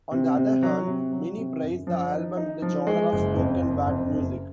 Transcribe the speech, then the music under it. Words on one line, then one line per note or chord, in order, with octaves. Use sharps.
On the other hand, many praise the album in the genre of spoken-word music.
C3
C3
F#3
C3
F#3
C3
F#2
F3
D#4
D#4
F3
G#3
F#1
F2
F#1
F2
F#1